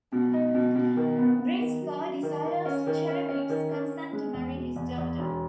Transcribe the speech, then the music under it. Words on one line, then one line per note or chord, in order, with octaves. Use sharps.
Gritsko desires Cherevik's consent to marry his daughter.
B2
D#4
B2
B2
D#3
B3
B3
D#3
F#3
F#3
D#3
D#3
C#4
D#3
C#4
C#4
D#3
C#4
C#4
G#3
E2
B2
E2
E2
E1